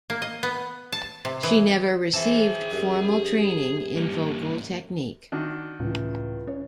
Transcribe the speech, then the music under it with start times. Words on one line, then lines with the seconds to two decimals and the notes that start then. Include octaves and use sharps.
She never received formal training in vocal technique.
0.10 A#3
0.22 D#5
0.43 B3
0.92 A5
1.25 C3
1.43 E3
2.14 E3 C4 G#4 A5
2.72 F#2 G4
3.96 G2 A#3
5.32 D#3 D4 F#4
5.80 C#2 A2 E3
6.47 C#4 C#5